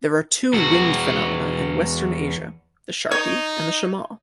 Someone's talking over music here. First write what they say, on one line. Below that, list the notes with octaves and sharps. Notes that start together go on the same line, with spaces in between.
There are two wind phenomena in Western Asia: the "sharqi" and the "shamal".
E2 F#4
D#4 C#5